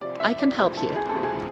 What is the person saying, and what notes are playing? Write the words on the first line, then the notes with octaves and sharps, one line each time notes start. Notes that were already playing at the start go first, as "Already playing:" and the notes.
I can help you.
C3 F3 D5
E5
D5
C3 F3 C5
A4
G#4
A4
C3 F3
G#4